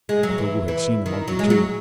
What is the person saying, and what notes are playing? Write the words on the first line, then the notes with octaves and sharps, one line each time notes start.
Otobu had seen the monkey too.
G#3
F#3
E3
E3
D#3
F#3
G#3
F#3